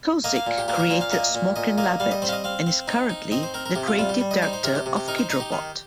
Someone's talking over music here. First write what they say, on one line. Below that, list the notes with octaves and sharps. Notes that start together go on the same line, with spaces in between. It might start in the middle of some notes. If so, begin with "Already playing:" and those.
Kozik created Smorkin' Labbit and is currently the Creative Director of Kidrobot.
A#3 D#5
F5
A#2
G4
A#3 G4
C5
A#4
A#2 C5
F5
A#3 D#5
A#2
A#2 D#5
A#3 D#5
G3 F5
D#5
C4 C5
F5
D#5
C4 F5
C4
D#4
D#4
C4 D#5
C5
C4 A#4
A#4
C3 G4
F4
G3 F4
G4
G3
D#5
D#4 C5
C5
C3 A#4
G4
C3
G4
D#4 A#4
C5
D#4 D#5
G4
D#3